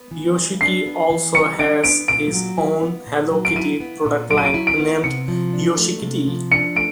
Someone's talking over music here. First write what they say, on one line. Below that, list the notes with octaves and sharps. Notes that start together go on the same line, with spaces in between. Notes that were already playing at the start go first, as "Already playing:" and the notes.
Yoshiki also has his own Hello Kitty product line, named "Yoshikitty".
Already playing: B3
E3
G3
D4 C7
B3
E3
G3 C#7
D4 D7
B3 D7
A#2 D7
F#3
E4
B3
A#2
F#3
D7
E4 D#7
B3
A#2
F#3 D7
D#7
D7
E4
D7
B3
C3 C#7
F3
D4
A3
C3
F3
D4 C#7
A3 D7